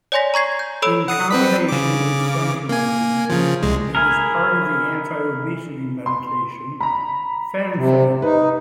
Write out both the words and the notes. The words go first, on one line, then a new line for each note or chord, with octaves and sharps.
In combination with phentermine, it was part of the anti-obesity medication Fen-phen.
C#5 D5 G#5 C6 A#6 B6
A#5 C#6 G#6 C7
G6
A4 C#5 B5 E6 D7 F7
F#5 D#6
C4 B4 B6
C#3 D6
A#3 G#5
C#3 F3
C2 G#3
E4 G#4 A#4
C6
A#5 B5
C3
D#4 B4